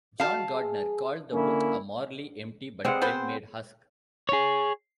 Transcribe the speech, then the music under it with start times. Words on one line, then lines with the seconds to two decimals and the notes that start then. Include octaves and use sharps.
John Gardner called the book a morally "empty but well-made husk".
0.20 F#4 F5 A5
0.54 G#4
1.33 D3 A#3 C#4 E4
2.85 G3 G#3 B3 C4 G#4 F#5
3.02 B3 B4 C5
4.29 G#4 C#5